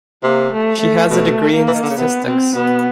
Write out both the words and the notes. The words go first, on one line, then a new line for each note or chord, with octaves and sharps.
She has a degree in Statistics.
C3 A#3
A3
A3
B2 A3
A#3
E3
D#3
D3
C#3
C3 B3
B2 C4
B2 B3